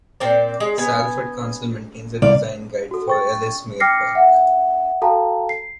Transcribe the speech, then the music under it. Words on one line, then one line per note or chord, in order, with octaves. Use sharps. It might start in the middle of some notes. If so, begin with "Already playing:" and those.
Salford Council maintains a design guide for Ellesmere Park.
A#2 C4 D5
G#3
B3 G#5
C2 D5 F5
F#4 A4
G5 C#6 A6
G5 D6 F6 A#6 C7 C#7
E5 F#5
F#4 A4 F5 G5 A5 A#5
C7